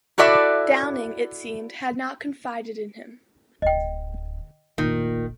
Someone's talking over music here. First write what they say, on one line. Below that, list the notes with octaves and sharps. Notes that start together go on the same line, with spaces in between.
Downing, it seemed, had not confided in him.
E4 F#4 A4 D5 E5
D1 D2 D#5 G5
F1 A#1 A#2 D#3